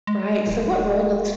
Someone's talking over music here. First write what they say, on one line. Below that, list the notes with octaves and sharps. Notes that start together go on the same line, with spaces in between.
Right. So what role does
G#3
D1